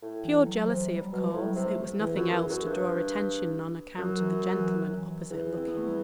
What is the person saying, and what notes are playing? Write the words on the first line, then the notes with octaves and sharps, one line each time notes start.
Pure jealousy of course it was nothing else to draw attention on account of the gentleman opposite looking.
A2
E3
F#3
F#3
C3 E3
G3
F#3
B2
F#3
A2 G3
C3
A3
E2 E3
F#2
E2
F#2
G2
F#2 F#3
E3
F#3
E3
F#3
E3
E2
C4
B3
A3
G3